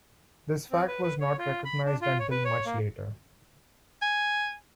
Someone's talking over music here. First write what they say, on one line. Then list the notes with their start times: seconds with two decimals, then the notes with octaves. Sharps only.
This fact was not recognized until much later.
0.71 C4
0.88 B4
1.03 B4
1.20 C#5
1.38 F4
1.65 B5
1.86 D4
2.01 F4
2.19 C#5
2.31 B4
2.45 C#5
2.66 A#3
4.02 G#5